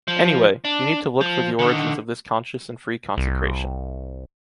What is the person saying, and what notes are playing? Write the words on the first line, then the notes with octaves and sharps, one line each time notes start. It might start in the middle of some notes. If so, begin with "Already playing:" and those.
Anyway, you need to look for the origins of this conscious and free consecration.
F3
D4
F3
D3 D#3
C2